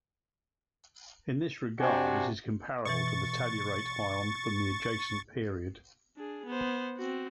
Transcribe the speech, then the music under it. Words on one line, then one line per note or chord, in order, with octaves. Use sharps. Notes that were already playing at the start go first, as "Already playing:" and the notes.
In this regard it is comparable to the tellurate ion from the adjacent period.
C3 D4 F#4 G#5
B2 E3 C#6 A6
D4 G#4
B3 C5
C4 F#4